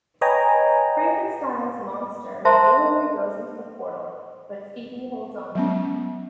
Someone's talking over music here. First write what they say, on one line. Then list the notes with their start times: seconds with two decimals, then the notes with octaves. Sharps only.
Frankenstein's monster willingly goes into the portal, but Phoebe holds onto him.
0.21 B4 C#5 D#5 G5 G#5 A#5
2.45 A#4 C5 E5 A5 A#5 C6
5.55 F#3 G#3 B3 C#4